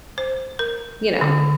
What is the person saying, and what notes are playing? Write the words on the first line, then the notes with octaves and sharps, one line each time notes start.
you know.
C5
A#4
D3